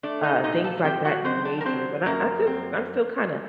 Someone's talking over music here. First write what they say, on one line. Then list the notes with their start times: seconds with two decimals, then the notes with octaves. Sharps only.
uh, things like that in nature. But I I'm just I'm still kinda
0.03 A3 D4 D5
0.23 D#4 D#5
0.44 A#2 D#4 D#5
0.64 A4 A5
0.84 C4 G4 G5
1.05 F#4 F#5
1.25 F#3 C4 C5
1.45 D4 D5
1.61 A#4
1.65 F#3 C4 C5
2.06 F#2 A#3 A#4
2.47 C4